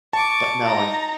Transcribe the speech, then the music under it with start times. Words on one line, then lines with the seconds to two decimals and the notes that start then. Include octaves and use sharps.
but no, I
0.13 A5 C#6 D6
0.68 D#4 A#5